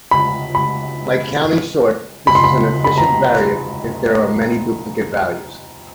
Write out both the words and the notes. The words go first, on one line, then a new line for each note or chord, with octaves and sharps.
Like counting sort, this is an efficient variant if there are many duplicate values.
B5
B5
B5
C6
B5
B5
A#5